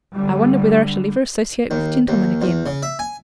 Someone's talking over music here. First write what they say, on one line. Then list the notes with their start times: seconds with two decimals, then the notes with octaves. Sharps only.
I wonder whether I shall ever associate with gentlemen again?
0.14 D3 G3
1.71 D#2
2.08 D#2
2.42 E2
2.66 C#3
2.83 E5
2.99 G#5